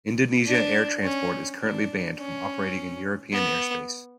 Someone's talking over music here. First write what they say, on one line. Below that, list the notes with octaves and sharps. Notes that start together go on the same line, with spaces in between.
Indonesia Air Transport is currently banned from operating in European airspace.
D4
C#4
D4
C#4
B3